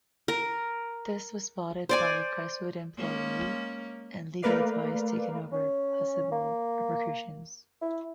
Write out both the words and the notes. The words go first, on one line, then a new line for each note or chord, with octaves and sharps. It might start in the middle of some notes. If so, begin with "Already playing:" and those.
This was spotted by a Crestwood employee, and legal advice taken over possible repercussions.
A#4
C5 D5 G#5
G#3 A#3 C#4
A3 A#3 A#4 B4 D5 F5
C#4
A#3
E4